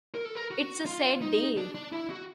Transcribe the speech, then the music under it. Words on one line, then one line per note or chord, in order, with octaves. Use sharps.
It's a sad day.
A#4
A4
A#4
F#4
F4
D#4
D4
D4
E4
F#4